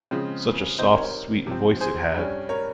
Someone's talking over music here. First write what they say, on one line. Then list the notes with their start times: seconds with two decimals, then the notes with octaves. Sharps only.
Such a soft sweet voice it had!
0.11 C#3 F3 G#3 C4
0.79 C3 D#3 G3 C4 C5 D#5
0.95 A#4 C#5
1.47 C3 F3 C4
1.81 G#4 C5
2.14 G2 G3 C#4
2.49 A#4 C#5